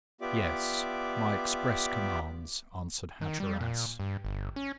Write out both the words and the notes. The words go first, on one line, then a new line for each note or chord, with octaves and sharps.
"Yes, my express commands," answered Hatteras.
B3 F4 G4 D5 E5 D6
D#3
G3
A#2
G2
G1
C#4